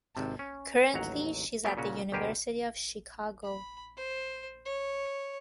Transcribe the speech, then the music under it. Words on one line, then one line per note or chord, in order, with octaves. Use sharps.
Currently, she is at the University of Chicago.
G#1 C3 A5
C#4
A1 D#2 F#3 F#5 A#5
F#3 G3 A3 B3 G4
A#2 C#3 C#4 F#4
D2 B2 G4 A#4 C5 G#5
B5
C5
C#5